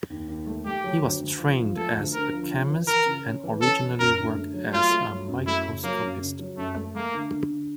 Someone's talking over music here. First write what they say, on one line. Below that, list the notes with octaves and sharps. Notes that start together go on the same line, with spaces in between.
He was trained as a chemist and originally worked as a microscopist.
D#2
D#2
A3
A3 G4
F#3
D2
D2
F3
F3
A3 A4
D2
D3 A#4
F3
C#4
E3
E3 A#4
C#3
C#4
E3
C#4 A4
E3
F#2 A#4
D3
A3
F#3
A3 F4
A3
F#3
F#2
A3 E4
C#3
F#3 A#3
F#2
C#3
F#3
F#2 A3
A3
A3 A#3
D3
D3
D3